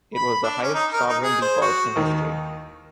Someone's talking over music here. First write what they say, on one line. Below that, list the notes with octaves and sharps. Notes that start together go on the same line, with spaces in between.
It was the highest sovereign default in history.
B5
D4
C#4
D#4
A#4
D#4
G#4
C5
F#4
D#2 D#3